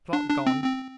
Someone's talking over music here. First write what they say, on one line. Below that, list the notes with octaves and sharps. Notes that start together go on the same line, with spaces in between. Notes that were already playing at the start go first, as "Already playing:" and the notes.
Clock gone.
D4
D4
C4
C4